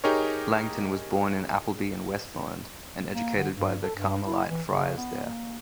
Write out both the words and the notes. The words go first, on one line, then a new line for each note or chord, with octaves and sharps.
Langton was born in Appleby-in-Westmorland, and educated by the Carmelite friars there.
D#4 G4 G#4 A#4 C#5
A#3
D3
G2
A4
G2
E4
E3
C#3
B3
A#3